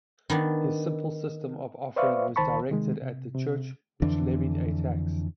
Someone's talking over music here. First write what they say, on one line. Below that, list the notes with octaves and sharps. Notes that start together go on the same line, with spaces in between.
His simple system of offering was directed against the church which levied a tax.
D#3 B3 D4
B4 C5 D5 E5 F5 C#6
C#2 D#3 C5 A5 B5 C#6
C3 D#3 G#3
C3
C3
F2 D3 E3 D4